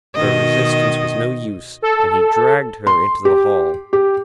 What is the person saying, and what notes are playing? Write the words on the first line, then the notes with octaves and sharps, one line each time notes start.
Her resistance was no use, and he dragged her into the hall.
B2 D#3 D#5
A4
C6
G4
G4